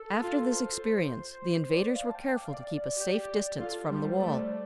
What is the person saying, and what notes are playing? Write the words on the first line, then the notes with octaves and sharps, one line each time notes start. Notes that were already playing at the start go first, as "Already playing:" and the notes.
After this experience the invaders were careful to keep a safe distance from the wall.
Already playing: A4
F4
C5
D5
F5
A5
G5
D5
F5
D5
G4
F4 A4
G3 C5
A3 D5